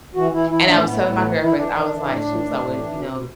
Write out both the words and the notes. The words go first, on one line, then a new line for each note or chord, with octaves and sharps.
and I was telling my girlfriends. I was like she was alway you know
E3 F#4
E3 E4
E3 E4
A2 D4
A2 B3
A2
E3
E3
E4
E3 D4
E3
E3
A2
A2
A2
A2
E3
B2
B2